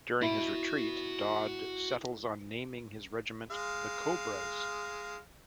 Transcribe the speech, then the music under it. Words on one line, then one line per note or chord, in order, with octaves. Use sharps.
During his retreat, Dodd settles on naming his regiment the Cobras.
E4 F#4 B5
G#3 F5